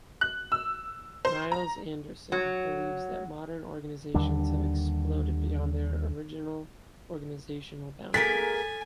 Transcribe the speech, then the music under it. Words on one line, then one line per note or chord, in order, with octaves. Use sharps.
Niels Andersen believes that modern organizations have exploded beyond their original organizational boundaries.
F#6
E6
C5
A#5
F#3
D#2 D3 G3 D4
G#3 A#3 A4 A#4 G#5 A6 B6